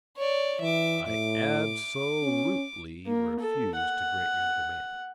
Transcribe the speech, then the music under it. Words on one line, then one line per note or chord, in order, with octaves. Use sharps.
I ab-so-lute-ly refuse to grant your demand.
C#5 D5
E3 E5 D6
A2 D6
C#4
A#3
A4
F#5